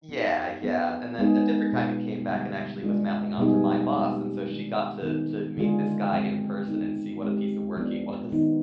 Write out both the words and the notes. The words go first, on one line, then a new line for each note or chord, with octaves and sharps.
Yeah, yeah, and then a different time he came back and actually was mouthing off to my boss, and so she got to to meet this guy in person, and see what a piece of work he was.
F3 B3 D#4 G4
F3 B3 D4 G#4
G#3 B3 D#4 G#4
B2 B3 F4 G#4
D3 G3 B3 D4
G#3 D4 F4 G#4
B2 G3 B3 D#4 G#4
F3 G#3 C4 G4
D#3 G#3 D4
D#3 B3 D#4 G#4
D3 G#3 D4 F4 G#4
F3 G#3 C4
D#3 B3 D#4
G#3 C4 G4
F3 B3 D4
D#3 B3 D#4